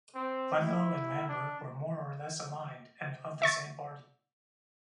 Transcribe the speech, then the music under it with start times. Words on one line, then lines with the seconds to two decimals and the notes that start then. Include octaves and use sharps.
Ludlow and Lambert were more or less aligned and of the same party.
0.15 C4
0.62 E4
1.29 D4
3.42 E5 C#6 A6